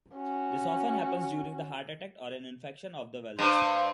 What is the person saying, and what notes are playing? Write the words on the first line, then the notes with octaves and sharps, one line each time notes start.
This often happens during a heart attack or an infection of the valves.
C#4 F#4
G2 C5